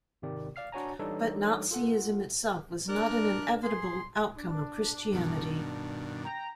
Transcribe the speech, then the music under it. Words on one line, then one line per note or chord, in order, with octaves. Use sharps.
But Nazism itself was not an inevitable outcome of Christianity.
G#1 C3 D#3 G4 D5
D5 F5 F6 C7
D4 F#4 C#5 G#5 A#5
E3 G3 D4 D#4 A4 C#5
F4 A4 F#5
D4 A#4 D5 F#6
G#4 C6
D4
G2 B2 D#3
G5 A#5